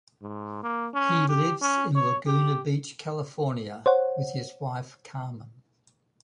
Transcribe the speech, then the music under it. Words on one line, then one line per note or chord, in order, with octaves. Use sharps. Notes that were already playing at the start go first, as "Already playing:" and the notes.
He lives in Laguna Beach California with his wife Carmen.
G#2
A#3
C#4
G4
C#4
C#5
G4
C5 C#5 F#5